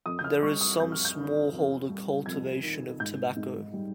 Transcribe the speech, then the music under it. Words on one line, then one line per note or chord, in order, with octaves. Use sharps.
There is some smallholder cultivation of tobacco.
F2 D#6
G6
F6
G3 C#6
D#6
F2 G6
F6
G6
D#3
F2
G3
F2 G#6
D#3
G#2 G6
G#2
G3